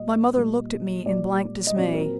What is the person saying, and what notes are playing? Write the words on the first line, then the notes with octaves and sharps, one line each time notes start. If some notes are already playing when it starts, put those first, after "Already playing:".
My mother looked at me in blank dismay.
Already playing: A#2 G3 A#3 D#5
A#2 G3 A#3
A#2 G3 A#3 D5
D#5
A#2 F#3 C4 D5
A#4